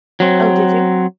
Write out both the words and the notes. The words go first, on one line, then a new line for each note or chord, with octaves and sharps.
Oh, did you?
F#3 C4